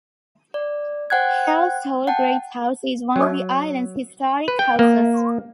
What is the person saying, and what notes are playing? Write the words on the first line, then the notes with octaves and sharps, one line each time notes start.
Halse Hall Great House is one of the island's historic houses.
D5
C5 F#5 G5 F#6 G#6
F#5 G5 A5
F#3
B4
G5
A#3